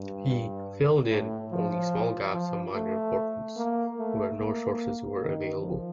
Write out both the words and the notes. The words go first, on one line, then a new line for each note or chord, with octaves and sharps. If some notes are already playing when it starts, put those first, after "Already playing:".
He "filled in" only small gaps of minor importance, where no sources were available.
Already playing: G2
A2
F3
F3
A3
A#3
A3
A#3
D#3
F3